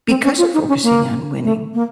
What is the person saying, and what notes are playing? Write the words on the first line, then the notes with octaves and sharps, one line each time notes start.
because of focusing on winning
C4
C#4
F4
D#4
C#4
A#3
A3
A#3